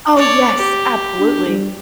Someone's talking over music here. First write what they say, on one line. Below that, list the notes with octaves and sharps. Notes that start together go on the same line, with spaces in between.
Oh, yes, absolutely.
C#5 D5
G4
D4
G3